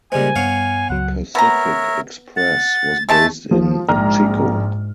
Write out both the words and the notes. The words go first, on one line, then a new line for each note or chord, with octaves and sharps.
Pacific Express was based in Chico.
A#2 C#3 G3 G#3 C5 G#5
G2 B3 C#5 F5
C#2 F#3 F#5
B3 A#4 C#5 E5 A#5
F#5 A6
G#3 A3 A5 A6
F3
A#1 G#2 A#5 F6